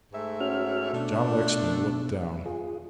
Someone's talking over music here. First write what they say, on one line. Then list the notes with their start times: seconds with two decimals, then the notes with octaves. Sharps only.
John Lexman looked down.
0.13 G#2 A3 E5
0.40 C#4 F#4 F6
0.93 B2 A3 D4
2.46 F4 G#4